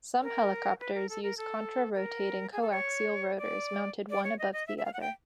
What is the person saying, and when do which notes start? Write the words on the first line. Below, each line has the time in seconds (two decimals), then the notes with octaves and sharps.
Some helicopters use contra-rotating coaxial rotors mounted one above the other.
0.22 A#4
0.80 B4
0.94 A#4
1.09 A4
1.23 A#4
1.38 A4
1.95 A#4
2.53 G#4
2.62 A4
2.71 C#5
3.38 D5
4.10 D5
4.24 C#5
4.39 D#5
4.53 D#5
4.67 E5
4.78 E5
4.85 F5
4.93 F#5
5.01 G5